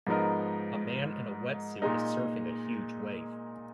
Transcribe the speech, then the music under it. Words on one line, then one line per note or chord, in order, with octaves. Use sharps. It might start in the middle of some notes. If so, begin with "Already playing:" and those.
A man in a wetsuit is surfing a huge wave.
G#2 F3 B3 D#4 A#4
A#2 G#3 D#4